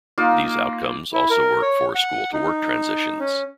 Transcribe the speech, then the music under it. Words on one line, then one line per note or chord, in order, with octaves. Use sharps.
These outcomes also work for school to work transitions.
A#3 D#4 F4
E4
A#4
C#5
F#5
D#4
C#4